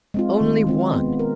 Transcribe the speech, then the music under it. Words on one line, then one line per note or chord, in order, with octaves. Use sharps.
Only one!
G#3 C4 F4
D#3
G#3 C4 F4
B3
A#4